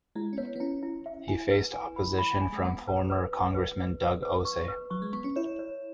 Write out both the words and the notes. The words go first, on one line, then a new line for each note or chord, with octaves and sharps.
He faced opposition from former Congressman Doug Ose.
G#3 E4
C#4
B3 C#5
B3
C#4 E4
E4
E5
E4 G#5
B4
G#5
B5
B5
G#5
G#3
B3 F#5
B4
B4
B4
B4
B4
B4
B4
C#6
B4
F#3 C#6
G#3
B3 C#6
C#4
E4 C#5
C#5